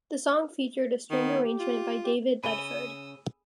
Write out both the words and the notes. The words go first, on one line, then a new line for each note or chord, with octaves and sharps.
The song featured a string arrangement by David Bedford.
D#3 B3
G4
F4
G4
C#3 G#5 B5 D#6 E6 D#7 G7